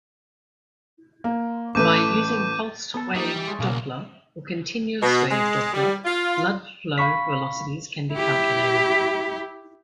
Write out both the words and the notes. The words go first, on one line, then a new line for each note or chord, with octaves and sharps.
By using pulsed wave doppler or continuous wave doppler bloodflow velocities can be calculated.
A#3
A1 A3 B4 D6 G6 D#7
B3 A4
G3 A#3 D#4
E3
G#3 A3
B1 C#3 A#3 B3
B2
G#3
G3
F4
F5 B5 C#6 B6
E4 G4